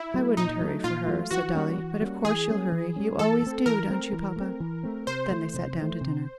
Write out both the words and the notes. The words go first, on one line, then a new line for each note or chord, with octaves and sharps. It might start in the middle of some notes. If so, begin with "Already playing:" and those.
"I wouldn't hurry for her," said Dolly; "but of course you'll hurry. You always do, don't you, papa?" Then they sat down to dinner.
Already playing: E4
F#3 A3
A#2 D#4
F#3 A3
A#2 F4
F#3 A3
E3 F#4
G3 A#3 C#4
E3
G3 A#3 C#4
E3 G#4
G3 A#3 C#4
E3
G3 A#3 C#4
E3 A4
A3 C4
E3 A#4
A3 C4
E3
A3 C4
E3
A3 C4
C3 C5
E3 A3
C3
E3 A3
C3